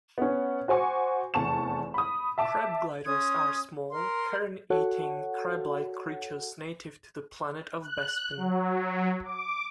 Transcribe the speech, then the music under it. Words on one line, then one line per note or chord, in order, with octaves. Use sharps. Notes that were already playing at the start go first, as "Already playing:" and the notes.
"Crab gliders" are small, carrion eating crablike creatures native to the planet of Bespin.
B3 C#4
F#4 C5 G#5 C#6 D6
F1 E2 A5 C#6 E7
B5 D#6
E5 A5 D6
C#4 C6 D#6 G#6
A#4 C6
F#4 A4 C#5 F#5
F#6
F#3
D6